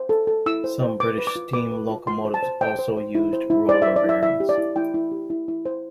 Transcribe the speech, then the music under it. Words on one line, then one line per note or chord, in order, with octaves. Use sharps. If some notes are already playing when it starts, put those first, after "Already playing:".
Some British steam locomotives also used roller bearings.
Already playing: C5
A4
A4
E4 E6
C5
C5
B4 D6
B4
D6
F4
B4 D6
B4
F4
F4 C6
C5
A5
C5
C5 G5
C5
C5
E4
C5
E4
C5 D5
E5
C5
D5
E4 E5
E4 E5
G4
D5
E4
E4 G5
E4
G4
E4
E4
C5